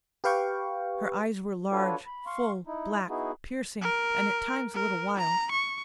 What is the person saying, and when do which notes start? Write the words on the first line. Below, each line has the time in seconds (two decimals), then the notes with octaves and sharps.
Her eyes were large, full, black, piercing, and at times a little wild.
0.24 G4 B4 F5 G5 C#6
1.72 D4 F4 F#4 A4 B4 C#5
2.06 B5
2.26 F5 C6 C#6
2.67 D#4 E4
3.09 B3 D#4 E4 F#4 G#4
3.81 A#4
4.74 A#4
5.18 A#5
5.51 C#6